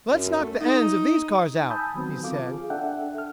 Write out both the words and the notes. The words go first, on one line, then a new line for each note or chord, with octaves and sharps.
"Let's knock the ends of these cars out," he said.
F#2
A3
D#4
G#5 A5 B5 D#6 E6 G6
D#3 F#3 B3 C4
F4 A4 F5 D6
G#4
D4 A4 E5 F#5 G5
A4 F6